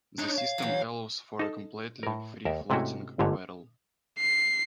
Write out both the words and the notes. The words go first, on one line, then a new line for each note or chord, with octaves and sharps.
This system allows for a completely free floating barrel.
D4 D#4 C#5
F5
E2 F#3
D#4 A4
A2 A#4
D#2 A#4 E5
G#2 C3 A3 C#4 E4 F#4
G1 G#2 D3 A3 C#5
C7